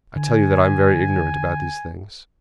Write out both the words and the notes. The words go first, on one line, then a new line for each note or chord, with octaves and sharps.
"I tell you that I am very ignorant about these things."
D3 G#5